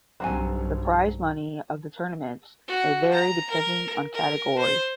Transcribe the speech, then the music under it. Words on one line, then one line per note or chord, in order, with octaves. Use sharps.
The prize money of the tournaments may vary depending on category.
B1 G2 F#3 C4 G#5
F#4
A#5
A#4
A#4
C5